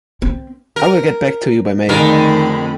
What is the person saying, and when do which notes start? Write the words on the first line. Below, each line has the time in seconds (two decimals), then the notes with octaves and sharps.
I will get back to you by mail.
0.22 C4
0.76 A#4
1.89 F2 D3 D#3 G#3 A3 C4 A#4 B5